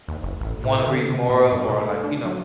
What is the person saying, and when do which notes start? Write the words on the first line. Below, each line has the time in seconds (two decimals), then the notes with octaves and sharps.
wa wanna read more of or, like, you know.
0.08 D#2
0.23 F#1
0.41 A1
0.64 A2
0.87 D3
1.10 C3
1.30 A#2
1.52 G2
1.69 B2
1.81 A3
2.04 D4
2.25 F#3